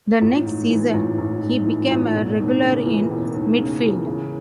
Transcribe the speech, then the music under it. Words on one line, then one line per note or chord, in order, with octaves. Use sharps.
The next season, he became a regular in midfield.
A1
G#2
E3
A1
A1
G#2
E3
A1
E1
D#2
C#3
E3
E1
D#2
C#3
E3
C#3